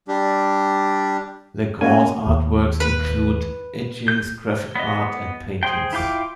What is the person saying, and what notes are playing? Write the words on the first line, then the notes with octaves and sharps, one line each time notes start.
Legrand's artworks include etchings, graphic art and paintings.
G3 D4 G4
A#3 C#4 E4 F#4 G#5
D#2
B4
G6
B3 D#5
G#4 C5 G5
E4 F4 G5 D6